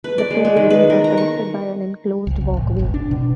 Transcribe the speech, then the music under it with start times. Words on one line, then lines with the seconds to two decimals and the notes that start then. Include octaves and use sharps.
The two buildings are connected by an enclosed walkway.
0.04 B4
0.18 D5
0.31 G#3
0.45 G#3
0.57 D#3
0.70 B4
0.90 A#4
1.04 A#5
1.18 C#6
2.27 C2
2.41 C2
2.57 A1
2.79 E1
2.94 D4
3.11 B2